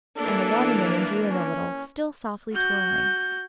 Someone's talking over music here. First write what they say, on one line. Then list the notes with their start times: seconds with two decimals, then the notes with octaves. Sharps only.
And the Water-midden drew in a little, still softly twirling.
0.17 E3 A#3 D4 A4
1.30 C#4
2.53 F#4 G6